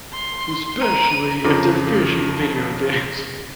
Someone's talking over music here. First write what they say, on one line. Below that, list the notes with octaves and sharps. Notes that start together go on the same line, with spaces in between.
"Especially if they're fishing video games."
C6
A#5 D#7
F2 C#3 F3 A#5 D6